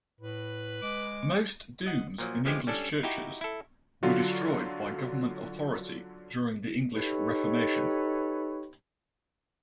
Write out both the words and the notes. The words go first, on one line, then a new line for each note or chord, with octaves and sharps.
Most dooms in English churches were destroyed by government authority during the English Reformation.
A2 B4
G#3 D6
D#5 F#5
A#2 F3 F#3
E3 F3 G#3 G4
G3 C#4 D4 A4
D#4 E4 F#4 G4 G5
E4 A4
D3 F#3 F4 F#4
D#4 G4 A4 B4 C#5